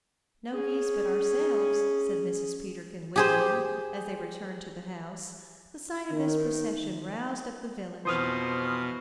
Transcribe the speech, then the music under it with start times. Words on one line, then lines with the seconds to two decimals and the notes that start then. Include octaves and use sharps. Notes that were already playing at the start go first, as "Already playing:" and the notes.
"No geese but ourselves," said Mrs. Peterkin, wittily, as they returned to the house. The sight of this procession roused up the village.
0.51 C#4 G#4
3.16 G4 G#4 C5
6.12 D#3
8.05 F2 B2 E3 F3 C5 C6 D#6 F6